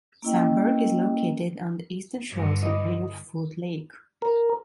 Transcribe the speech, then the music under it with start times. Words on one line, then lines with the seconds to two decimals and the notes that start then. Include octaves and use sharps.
Samburg is located on the eastern shores of Reelfoot Lake.
0.22 A#3 C#4 E4 D#5 G5
2.30 G2 D3
2.63 E4 D#5
4.22 A#4